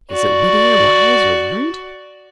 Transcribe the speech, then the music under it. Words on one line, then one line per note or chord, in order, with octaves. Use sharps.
Is it witty, or wise, or learned?
F#4 D5